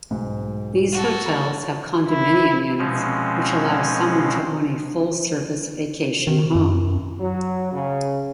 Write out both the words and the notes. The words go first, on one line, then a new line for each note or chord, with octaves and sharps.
These hotels have condominium units which allow someone to own a full-service vacation home.
B1 G#2
F#4 A4
A#5 B5
E4
B2 F3 G#3 C4 C#4
D#3
F#2
F#3
C#3